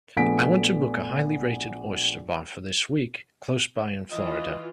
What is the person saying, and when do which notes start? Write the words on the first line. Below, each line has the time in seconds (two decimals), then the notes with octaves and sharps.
I want to book a highly rated oyster bar for this week close by in Florida.
0.17 A#1 A3 B3 G#5 B6 D7
4.11 E3 F4 D#5